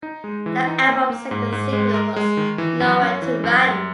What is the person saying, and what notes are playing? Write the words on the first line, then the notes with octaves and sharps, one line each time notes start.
The album's second single was "Nowhere to Run".
D#4
G#3
E3
D#4
A#3
A#3
G#2
G#2
G#3
A#4
G#3
D#3
E3
F#2
C#4
E3
F#2
F#2